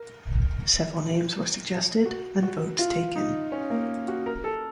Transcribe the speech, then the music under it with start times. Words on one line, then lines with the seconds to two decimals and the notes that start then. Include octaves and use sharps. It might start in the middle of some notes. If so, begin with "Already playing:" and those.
Several names were suggested and votes taken.
Already playing: A#4
2.06 F#4
2.43 F#4
2.79 F4
3.16 D#4
3.52 C#4
3.70 A#3
4.08 F#4
4.26 A#4
4.44 A4